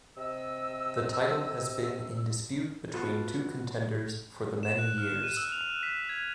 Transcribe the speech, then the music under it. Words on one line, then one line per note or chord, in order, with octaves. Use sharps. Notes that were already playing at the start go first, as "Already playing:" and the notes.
The title has been in dispute between two contenders for the many years.
C3 D#5 E6
B3 F4 F#4 A4
E7
F#6
F6
D#7
E6
F7
F#6
B6
G#6